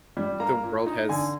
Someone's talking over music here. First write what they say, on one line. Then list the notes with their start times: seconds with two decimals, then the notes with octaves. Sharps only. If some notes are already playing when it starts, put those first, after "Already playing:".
the world has,
0.17 G3
0.40 A#3 A#5
0.63 A#2
0.86 D#4
1.09 D3 G#5